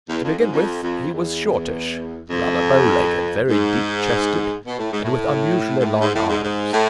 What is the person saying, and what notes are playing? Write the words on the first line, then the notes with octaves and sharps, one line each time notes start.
To begin with, he was shortish, rather bow-legged, very deep chested, and with unusually long arms.
E2
F2
G#2
F2
F2
E2
F2
G#2
B2
A2
G#2
A2
G#2
A2
G#2
A2
G#2
G#2
A2